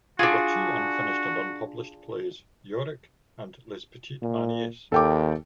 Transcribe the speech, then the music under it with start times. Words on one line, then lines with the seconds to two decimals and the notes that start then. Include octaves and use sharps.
There were two unfinished and unpublished plays - "Yorick" and "Les Petites Manies".
0.19 D4 F4 F#4 G#4
4.22 A#2
4.92 D#2 A4 G5 D6